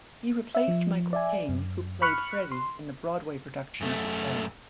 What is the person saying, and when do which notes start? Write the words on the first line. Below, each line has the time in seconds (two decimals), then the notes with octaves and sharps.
He replaced Michael King who played Freddy in the Broadway production of the play.
0.55 E5
0.68 F3
1.13 D5 E5 G#5
1.49 F#2
2.02 B5 C#6 F6 F#6 C#7
2.52 C6
3.81 F#2 A3